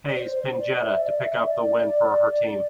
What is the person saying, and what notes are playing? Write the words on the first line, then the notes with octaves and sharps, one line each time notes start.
Haze pinned Jetta to pick up the win for her team.
D5
C5
C5
D5
E5
D5
E5
D5